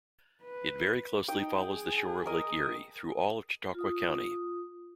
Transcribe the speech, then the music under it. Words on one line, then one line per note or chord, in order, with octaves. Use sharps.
It very closely follows the shore of Lake Erie through all of Chautauqua County.
B4
D#4 G5 D#6
G#4
A#4 D#5
F4 D#6